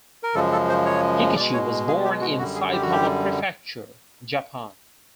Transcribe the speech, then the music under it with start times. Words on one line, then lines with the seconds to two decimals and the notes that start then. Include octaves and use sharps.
Hikichi was born in Saitama Prefecture, Japan.
0.23 A#4
0.35 F#2 C#3 F3 G#3 A4
0.52 A4
0.69 C5
0.86 C#5
1.37 B2 G#3 D5
1.53 C#5
1.88 G#4
2.04 G4
2.21 F#4
2.38 F#2 D3 G3 F#4
2.55 G#4
2.72 G4
2.82 F#4
2.92 G4